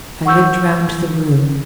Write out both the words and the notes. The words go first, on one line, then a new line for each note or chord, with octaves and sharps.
I looked round the room.
F#5 C#6 E6 G6